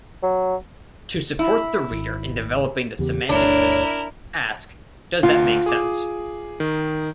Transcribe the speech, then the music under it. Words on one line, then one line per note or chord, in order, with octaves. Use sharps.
To support the reader in developing the semantic system, ask, "Does that make sense"?
F#3
E4
G#1
E2 C#3 B3 G4
G1 D2 D3 D4 E4 A#4 C#5
D2 F4
G#4 D6
D#3